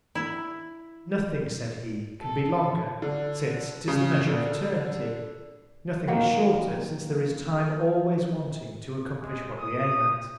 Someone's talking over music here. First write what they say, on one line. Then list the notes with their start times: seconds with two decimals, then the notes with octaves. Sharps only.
Nothing, said he, can be longer, since 'tis the Measure of Eternity; Nothing is shorter, since there is Time always wanting to accomplish what we aim at.
0.15 E4
2.23 A4
3.02 D3
3.88 C#3
4.28 D3
6.07 D#3 F#3 A#3
9.21 G#3
9.58 D#6